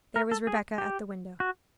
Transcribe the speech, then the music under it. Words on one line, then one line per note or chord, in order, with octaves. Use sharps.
There was Rebecca at the window.
A#4
A4
G#4
G4
F#4